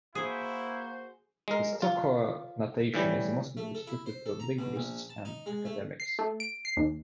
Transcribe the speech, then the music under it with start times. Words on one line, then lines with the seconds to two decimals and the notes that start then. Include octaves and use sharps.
The Stokoe notation is mostly restricted to linguists and academics.
0.15 A#3 E4 F#4 G#4 C5
1.48 G#3 A#4
1.82 F4
2.94 A2 E3 G3
3.57 A3
3.75 A4
3.87 E4
4.06 C5
4.26 A4
4.40 A#5
4.59 B2
4.76 A#1
5.10 A5
5.25 D#4
5.46 G#3
5.65 A3
6.00 C7
6.19 A3
6.40 D7
6.65 C7
6.77 D#2